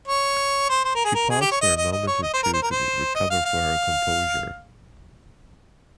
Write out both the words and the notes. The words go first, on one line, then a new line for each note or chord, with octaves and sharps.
She paused for a moment or two to recover her composure.
C#5
C5
C5
A#4
G#4
A#4
G#4
G4
C#5
D#5
D#5
D#5
C#5
D#5
C5
A#4
C5
A#4
C5
D#5
F5
F5